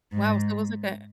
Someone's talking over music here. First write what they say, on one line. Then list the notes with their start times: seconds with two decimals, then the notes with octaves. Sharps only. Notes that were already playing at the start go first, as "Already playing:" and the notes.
Wow, so it was like a
0.13 G#2